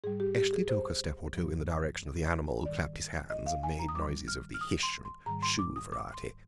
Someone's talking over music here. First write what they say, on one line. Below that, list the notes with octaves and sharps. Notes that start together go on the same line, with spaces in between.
Eshley took a step or two in the direction of the animal, clapped his hands, and made noises of the “Hish” and “Shoo” variety.
G#2 G3 G#4
G4
G4
G#4
C5
G2 F3
G#2 D#3 G3 D5
D#5
F5
G#5
A#5
D#6
G2 D#3 G3 D6
F6
F6
D#6
C6
C6
G#2 D#3 G3 A#5
C6
D6
D#6
D6
C6